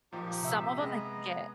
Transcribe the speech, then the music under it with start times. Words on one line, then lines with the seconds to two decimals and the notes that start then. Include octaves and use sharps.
Some of them, they can get
0.12 A#2 F3 D#4 G4
0.43 C3 E5
0.78 G#3 B3 G#4 D#5 A#5